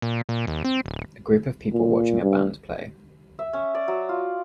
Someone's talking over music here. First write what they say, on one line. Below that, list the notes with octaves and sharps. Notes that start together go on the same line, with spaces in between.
A group of people watching a band play.
A#2
A#2
D#2
C4
D1
A#2
G2
E5
C#4
D5
F#3
F4